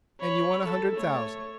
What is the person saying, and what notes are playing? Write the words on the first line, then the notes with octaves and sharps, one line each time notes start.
And you want a hundred thousand.
C#5 B5
A4
A3 C#5